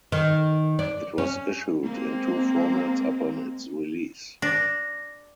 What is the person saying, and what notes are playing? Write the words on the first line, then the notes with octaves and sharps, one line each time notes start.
It was issued in two formats upon its release.
D#3
D4
C#4
G#3 A#3 C4
D4 A6 A#6